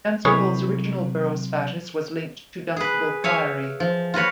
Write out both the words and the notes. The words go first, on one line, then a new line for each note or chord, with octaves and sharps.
Dunstable’s original borough status was linked to Dunstable Priory.
C3 E3 F#3 G#3 A4 C#5 B5 C#6
G#4 B4
C#5 E5 F5 G#5
F3
F4 F#4 B4 C#5